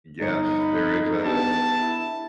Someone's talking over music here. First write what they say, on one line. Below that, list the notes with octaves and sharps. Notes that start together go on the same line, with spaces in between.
yes, there is a
G1 D#4 C#5 C#7
B5
B3 D4 G4 A5
E4